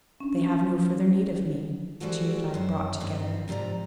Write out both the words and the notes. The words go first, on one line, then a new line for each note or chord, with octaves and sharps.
They have no further need of me, the two that I have brought together.
C#4 D4
E3 G3 G#3 C4 F#4 A4
F#2 C5
G2 D#3 C4
G#2 C3 F3 D5 A#5